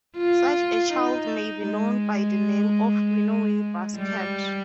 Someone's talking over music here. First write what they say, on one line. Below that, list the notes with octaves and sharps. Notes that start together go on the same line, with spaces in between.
Such a child may be known by the name of Winnowing Basket.
F4
D#4
G#3
G3